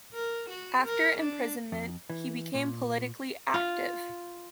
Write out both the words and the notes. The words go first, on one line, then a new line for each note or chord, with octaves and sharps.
After imprisonment he became politically active.
A#4
F#4
A#4
D4
F2
E3
A#2
F4